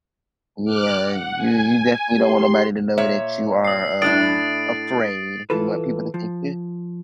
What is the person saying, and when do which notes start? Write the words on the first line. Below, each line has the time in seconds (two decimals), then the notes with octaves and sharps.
Yeah, you you definitely don't want nobody to know that you are, um, afraid. You want people to think you're
0.65 D6 F6 F#6
1.04 F#5
1.35 G#5
2.18 G4 C6
2.98 A#2 C#5 E5
3.64 D#6 C7
4.02 A2 D4 E4 D#6 A6 D7
5.50 E3 F4 A4 B4
6.14 F3